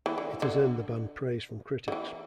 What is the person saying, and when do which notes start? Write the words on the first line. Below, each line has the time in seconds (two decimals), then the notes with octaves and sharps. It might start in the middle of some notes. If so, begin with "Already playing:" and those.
It has earned the band praise from critics.
0.06 E3
0.18 D3
0.42 D3
1.88 D3
1.92 E3